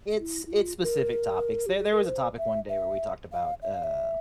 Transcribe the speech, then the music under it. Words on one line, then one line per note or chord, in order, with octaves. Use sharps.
It's it's specific topics. There there was a topic one day where we talked about, uh,
E4
E4
F4
A#4
G4
G#4
A#4
C5
E5
E5
F5
E5
F5
E5